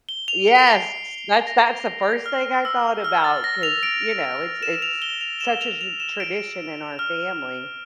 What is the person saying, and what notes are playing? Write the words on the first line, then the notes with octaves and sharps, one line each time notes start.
Yes, that's that's the first thing I thought about 'cause, you know, it's it's such a tra tradition in our family,
G7
F7
D7
C7
A#6
F6
E6
F6
A6
A#6
F7
D7
E7
F7
G7
F7
E7
F7
F7
E7
D7
F6